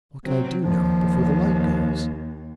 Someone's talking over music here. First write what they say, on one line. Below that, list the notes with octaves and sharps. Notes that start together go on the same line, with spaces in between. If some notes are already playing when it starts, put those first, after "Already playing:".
What can I do now, before the light goes?'
C3 F#3 C4
D#2 F3